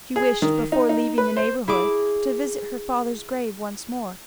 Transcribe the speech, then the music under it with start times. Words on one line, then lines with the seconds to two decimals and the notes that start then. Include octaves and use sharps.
She wished before leaving the neighbourhood to visit her father's grave once more.
0.16 G#4
0.42 D#3
0.72 D#4
0.89 D#4
1.18 B4
1.37 C5
1.68 E4 G#4 D6